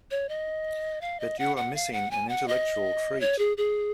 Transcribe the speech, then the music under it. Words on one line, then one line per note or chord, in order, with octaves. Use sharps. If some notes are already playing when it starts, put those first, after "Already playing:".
But you are missing an intellectual treat.
C#5
D#5
F5
D#5
F#5
F#5
F5
F#5
G#5
F#5
D#5
C#5
G#4
G#4